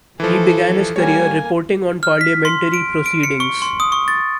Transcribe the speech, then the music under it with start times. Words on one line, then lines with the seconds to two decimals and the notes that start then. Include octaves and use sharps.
He began his career reporting on parliamentary proceedings.
0.20 E3 F3 A4
0.96 G3 A#3 C#5 G#5
2.03 F6
2.21 B6
2.45 C6
2.74 D7
3.06 D7
3.23 C#7
3.40 C#6
3.62 C6
3.80 D#6
3.92 C#6
4.08 A6